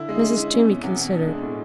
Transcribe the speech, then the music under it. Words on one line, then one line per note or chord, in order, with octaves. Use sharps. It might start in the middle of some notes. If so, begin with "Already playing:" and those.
Mrs. Toomey considered.
Already playing: D3 E4
G#3
C#4
E4
C#4
B2
E2
B2
D4
G#3
A2